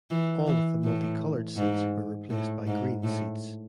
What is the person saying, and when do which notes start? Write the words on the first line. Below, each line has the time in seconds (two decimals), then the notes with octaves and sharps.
All of the multicolored seats were replaced by green seats.
0.11 E3
0.47 E3
0.84 A2
1.57 G#2
2.30 A2
2.67 G#2
3.04 A2